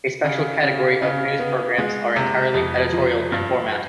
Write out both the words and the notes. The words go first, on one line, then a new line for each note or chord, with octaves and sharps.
A special category of news programs are entirely editorial in format.
C#3
C#3
C#3
B3
G#3
C3
F2
F3
G2